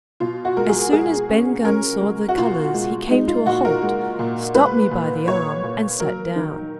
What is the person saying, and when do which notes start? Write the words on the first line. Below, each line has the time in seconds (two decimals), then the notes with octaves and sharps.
AS soon as Ben Gunn saw the colours he came to a halt, stopped me by the arm, and sat down.
0.20 B2 F4
0.45 F#4
0.56 G#3 A#4
0.69 G#4
0.92 G#3 G#4
1.29 C#4
1.65 C#4 A#4
2.01 G#3
2.29 F#4
2.38 B2 F4
2.74 G#3
3.10 G#3 D#4
3.28 F4
3.46 A#2 F#4
3.65 A#4
3.82 G#3
4.19 A#2
4.55 G#3 B4
4.91 A#2
5.28 A#2 C#5
5.63 A#2
6.00 F#3 A#4
6.36 D#3